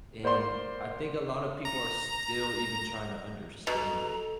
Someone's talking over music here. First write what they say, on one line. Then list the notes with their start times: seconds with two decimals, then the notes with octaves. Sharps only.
And, I think a lotta people are still even trying to understand it.
0.23 A#3 C5 D5 C6
1.65 A#5
3.67 B2 A4 A#5